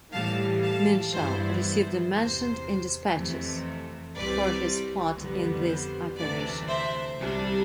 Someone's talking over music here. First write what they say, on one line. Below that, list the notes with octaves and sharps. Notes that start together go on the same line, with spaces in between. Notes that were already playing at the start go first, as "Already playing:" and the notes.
Minshall received a "Mentioned in Despatches" for his part in this operation.
A2 E3 G3 F5 A5
F5 A5
G2 E3 B3 E4 C5
C5
E2 C3 E3 C5
F2 C3 E3 A3
C2 C3 G3 C4 B4 D5
F2 D3 G3 B3
C5
D2 C3 E3 A3 D4 B4 D5
C5 E5
C2 C3 G3 D4